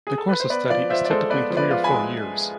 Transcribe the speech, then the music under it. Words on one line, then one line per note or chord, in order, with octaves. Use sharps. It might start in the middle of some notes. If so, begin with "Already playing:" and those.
The course of study is typically three or four years.
G#4
A4
B4
C5
B3 B4 D5
F3 D5 F5
F4 C5 E5
D5
G#3 A4 C5
B3 B4 D5
F3
B4 D5
F4
G#5 B5
G#3